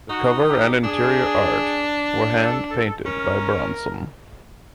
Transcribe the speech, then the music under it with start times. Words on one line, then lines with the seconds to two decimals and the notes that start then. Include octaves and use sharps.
The cover and interior art were hand painted by Bronson.
0.10 D#4 F#4
0.46 G4
0.83 D4 G#4
2.31 A4
2.68 A4
3.05 C#4 A#4